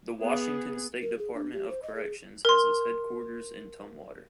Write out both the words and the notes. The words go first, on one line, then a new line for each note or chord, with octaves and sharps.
The Washington State Department of Corrections has its headquarters in Tumwater.
B3 G#4
A#4
G#4
D4
G4
C5
D#5
G#4
A#4 C6